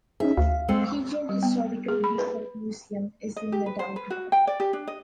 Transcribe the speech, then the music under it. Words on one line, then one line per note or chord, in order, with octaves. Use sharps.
Pigeon Historical Depot Museum is in the downtown.
C#4 D#4 G#4 E5
D2 F5
G#3 C4 A4
G3
B3
G#4
B5
B4
D#5
G4
B4
C5
B4
F#4
G5
D5
G4
D4
D#5